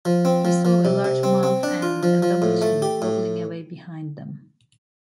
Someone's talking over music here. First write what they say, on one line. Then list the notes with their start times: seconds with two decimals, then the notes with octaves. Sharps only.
He saw a large mouth and a double chin wobbling away behind them.
0.05 F3
0.25 C4
0.45 F3
0.65 F3
0.85 C3
1.04 C3
1.23 C4
1.43 C4
1.63 D4
1.82 F4
2.03 F3
2.23 F3
2.42 A2
2.62 A3
2.82 G4
3.02 A2